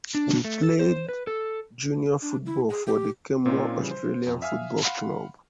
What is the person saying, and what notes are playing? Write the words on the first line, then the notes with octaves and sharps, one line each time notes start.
He played junior football for the Kenmore Australian Football Club.
D4
A3
A4
C5
B4
A4
D4
E4
G#4
G4
A#2 C4 C#4 D#4 F4
C#3 E3 F3 G3
C5
F2
E5 F5 G#5 D#6 F6
F5 F#5 B5 C6